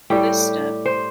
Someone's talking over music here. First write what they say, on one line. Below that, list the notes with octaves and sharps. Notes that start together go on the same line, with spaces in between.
For this step.
A2 G3 G4
C5